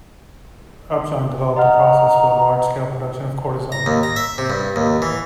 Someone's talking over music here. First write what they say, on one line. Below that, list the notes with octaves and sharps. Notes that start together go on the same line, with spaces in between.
Upjohn developed a process for the large scale production of cortisone.
D#5 F#5 A#5 F6
A#5
D#2
A#5
E5
C3
G2
D#2
E3